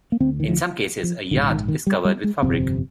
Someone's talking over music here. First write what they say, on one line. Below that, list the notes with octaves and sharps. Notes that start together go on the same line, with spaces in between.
In some cases a "yad" is covered with fabric.
A#3
D2 D3 C4
D#3
F3
F3
A#1 G#2 D3
D#3
D#3
G3
G3
G#3
G1 F2 C3 C4